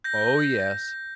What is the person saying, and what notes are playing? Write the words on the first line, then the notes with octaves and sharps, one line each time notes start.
Oh yes.
G6 A#6